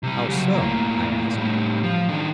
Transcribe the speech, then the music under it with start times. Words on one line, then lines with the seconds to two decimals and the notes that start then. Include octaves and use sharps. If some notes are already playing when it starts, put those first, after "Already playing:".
"How so?" I asked.
0.03 C3 G3
0.29 C#3 F#3
0.54 A2 A#3
1.35 A2 G3
1.83 F3
2.09 D#3 D4